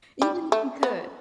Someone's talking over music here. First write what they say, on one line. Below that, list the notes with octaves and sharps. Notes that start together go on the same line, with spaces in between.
Even if you could,
G3
A3
B3